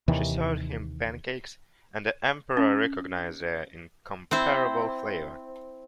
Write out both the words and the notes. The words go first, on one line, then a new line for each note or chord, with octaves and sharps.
She served him pancakes, and the Emperor recognized their incomparable flavour.
D#2 C3 D#3 E3
C#4
C4 E4 C5